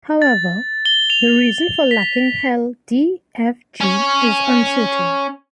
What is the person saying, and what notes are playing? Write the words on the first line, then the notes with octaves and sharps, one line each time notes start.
However, the reason for lacking Hell D, F, G is uncertain.
A6
G7
F7
B6
C#4 C#5